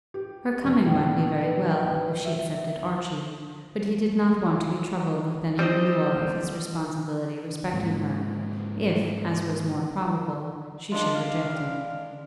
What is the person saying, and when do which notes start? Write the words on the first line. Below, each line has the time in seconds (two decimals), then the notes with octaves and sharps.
Her coming might be very well, if she accepted Archie; but he did not want to be troubled with any renewal of his responsibility respecting her, if, as was more probable, she should reject him.
0.14 G4
0.64 F1
0.85 A#1
1.41 B4
1.71 G5
1.88 B4
2.25 E5
5.59 G3 C4 C5 D#5
7.73 G#2 C3 F3
10.92 G#3 D4 F4
11.15 F5